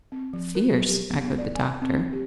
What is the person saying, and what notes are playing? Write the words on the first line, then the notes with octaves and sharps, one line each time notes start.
"Fierce!" echoed the doctor.
C4
F3
A#4
F#3
G4
B3
B3
D5
G#5
C4
G4